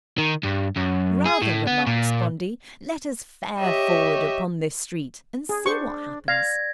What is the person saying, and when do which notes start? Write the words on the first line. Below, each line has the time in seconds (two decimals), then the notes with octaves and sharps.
Rather, remarked Spondee, let us fare forward upon this street and see what happens.
0.18 D#3
0.43 G2
0.76 F#2
1.25 G#4
1.42 A2
1.67 B3
1.87 A#2
3.59 G4 C#5 D#5 E5
5.49 G#4
5.66 D4 C5 C#6
6.28 D5 F5 G#6 A#6